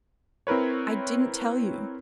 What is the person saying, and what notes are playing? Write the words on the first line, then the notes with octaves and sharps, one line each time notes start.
I didn't tell you.
C4 E4 A#4 B4 C#5